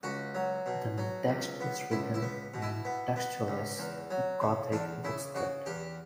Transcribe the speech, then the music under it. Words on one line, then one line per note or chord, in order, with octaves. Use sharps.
The text is written in Textualis Gothic bookscript.
C#2 F#4
F#3
B2
F#3
C#2
B3
C#2 E4
E4
B3
B2
E4
B3
B3
C#2
E2
F#3
C#3
E2 D4
C#3 E4
C#3 F#4
E2 G4